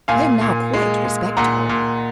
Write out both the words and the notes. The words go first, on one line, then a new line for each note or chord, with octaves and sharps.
"I am now quite respectable."
A#2 F5 G#5
A#2
G#3
G#3
A#2 F#5 A#5
A#2